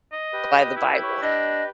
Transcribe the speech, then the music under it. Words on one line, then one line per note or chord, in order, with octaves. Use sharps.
by the Bible.
D#5
G4 B4
E4
C#5
D4 D#5